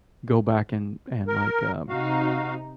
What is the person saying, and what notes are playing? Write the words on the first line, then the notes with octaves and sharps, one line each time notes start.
go back and and like, um
A#4
C3 D#4 F#4 F5